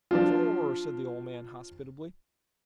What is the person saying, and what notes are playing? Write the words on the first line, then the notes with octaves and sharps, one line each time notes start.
"Shore!" said the old man hospitably.
F3 D4 F4